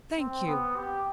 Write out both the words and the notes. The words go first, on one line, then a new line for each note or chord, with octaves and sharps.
'Thank you.
C4
B3
G4